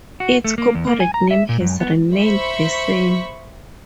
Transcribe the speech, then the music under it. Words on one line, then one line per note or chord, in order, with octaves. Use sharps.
Its corporate name has remained the same.
F#4
A3
A#3
E2
A#3
G#5
A#5
E5
A#2
F#2
B3
C5 E5 B5 C#6